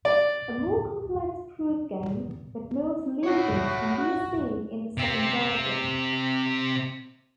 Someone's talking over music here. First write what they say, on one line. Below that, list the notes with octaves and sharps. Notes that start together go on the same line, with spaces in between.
A more complex proofgame, with more solutions, can be seen in the second diagram.
D5
F#4 A4 C#5
F#4
C3 C4